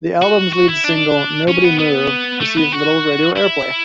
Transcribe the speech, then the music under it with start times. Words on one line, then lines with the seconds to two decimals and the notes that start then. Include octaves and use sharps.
The album's lead single, "Nobody Move", received little radio airplay.
0.22 F#4
0.53 F#4
0.69 E4
0.85 D4
1.48 C#4
1.64 B3
1.79 B3
2.41 A3
2.57 B3
2.73 F#4
3.36 E4